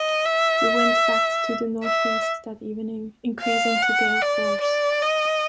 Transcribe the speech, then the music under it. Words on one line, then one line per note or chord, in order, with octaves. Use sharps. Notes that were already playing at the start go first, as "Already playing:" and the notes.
The wind backed to the northeast that evening, increasing to gale force.
Already playing: D#5
E5
E5
F5
F#5
D5
D5
D#5